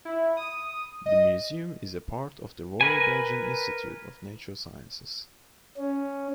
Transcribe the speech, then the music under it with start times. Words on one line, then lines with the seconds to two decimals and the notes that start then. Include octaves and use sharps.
The museum is a part of the Royal Belgian Institute of Natural Sciences.
0.05 E4
0.37 D#6
1.06 D#5
2.81 A#4 B4 G#5
5.77 C#4